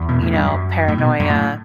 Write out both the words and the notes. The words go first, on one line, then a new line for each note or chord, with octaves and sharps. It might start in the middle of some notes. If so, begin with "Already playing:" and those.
you know, paranoia,
Already playing: E2
B2
A2
G2
F#2
A2
B2
F#2
A2